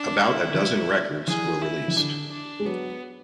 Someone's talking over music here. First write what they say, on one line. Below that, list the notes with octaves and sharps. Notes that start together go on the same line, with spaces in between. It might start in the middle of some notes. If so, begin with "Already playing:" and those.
About a dozen records were released.
Already playing: D4
E4
E3
F#3
E3 G#4
E4
E3
D3 D4
D4
G#3
F#3 B3